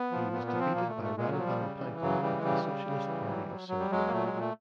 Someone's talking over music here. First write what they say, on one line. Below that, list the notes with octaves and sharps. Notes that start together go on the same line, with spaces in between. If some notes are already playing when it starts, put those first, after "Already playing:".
He was defeated by Radovan Pankov of the Socialist Party of Serbia.
Already playing: B3
F3
A#2 B3
B3
F3
C4
A#2 A#3
A3
A#2
A3
A#2 G#3
F#3
F3
G3
C#3
E3
C#3 F#3
E3 G3
G#3
C#3 G3
C#3
C#3
E3
F#3
F#3
F#3
G3
F#3 G#3
A#3
A#2 A3
G#3
A#2
A3